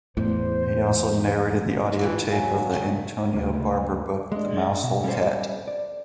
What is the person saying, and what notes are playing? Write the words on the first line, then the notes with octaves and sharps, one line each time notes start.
He also narrated the audio tape of the Antonia Barber book "The Mousehole Cat".
E2 A2 C5
E2 E3 F3 C4
D#2 F#3 E5 F5 G#5
C3 G#3 A3
D2 C#3
G#3 D4
B2
G3 C#4 E4 A4 C5
D5